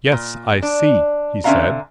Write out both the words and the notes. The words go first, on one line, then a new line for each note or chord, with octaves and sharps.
"Yes, I see," he said.
A#2
D4
D3 C4 C#4 E5 F5 A#5